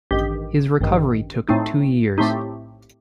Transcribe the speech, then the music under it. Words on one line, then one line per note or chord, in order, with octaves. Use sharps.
His recovery took two years.
A1 G2 D#3 G4
A1 G2 D#3
A2 A3 C4 D#4
A2 A3 C4 D#4 G4